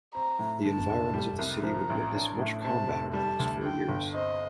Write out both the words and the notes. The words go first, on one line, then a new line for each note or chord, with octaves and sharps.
The environs of the city would witness much combat over the next four years.
C4 A#5
A2
D3 A5
F1
G3
C2
F3 A#5
A1
D4
A2
C3 A5
F1
G3 A5
D2
D3 G5
G1
C4 D#5